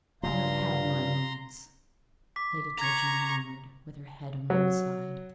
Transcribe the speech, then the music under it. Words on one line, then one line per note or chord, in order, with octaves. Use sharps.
'I have had my moments,' Lady Georgina murmured, with her head on one side.
G2 C#3 F3 G3 F5 A#5 C6
D6 B6
A#5 C#6 G#6 F7
F#3